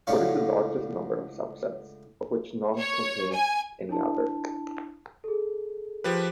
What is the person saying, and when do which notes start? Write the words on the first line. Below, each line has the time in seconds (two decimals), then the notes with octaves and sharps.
What is the largest number of subsets of which none contains any other?
0.07 C#2 A2 D3 C#5 F5
2.78 C#5
3.33 G#5
3.89 D4 E4 A5
5.24 G#4 A4
6.04 F3 G4 B4